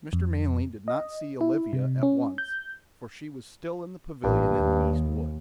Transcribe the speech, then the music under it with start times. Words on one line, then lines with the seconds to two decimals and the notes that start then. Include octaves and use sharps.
Mr. Manley did not see Olivia at once, for she was still in the pavilion in the East wood.
0.13 F2
0.88 D#5
1.41 E4
1.73 C3
2.03 C#4
2.38 G6
4.24 A1 G2
4.56 D#2